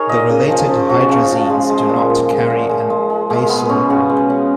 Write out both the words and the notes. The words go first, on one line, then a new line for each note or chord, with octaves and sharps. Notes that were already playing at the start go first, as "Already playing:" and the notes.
The related hydrazines do not carry an acyl group.
Already playing: D#4 G#4 A#4 C#5
A#2 D#5
C#3 G#4
F3
F3
F3 F#4
C#3
F3
G#3
G#3
A#2
A#2
G#3
A#2
G#3
G#3
G#3
G#3 A#3
B2 B3
B2 C#4
C#3 F#4
G#3
C#3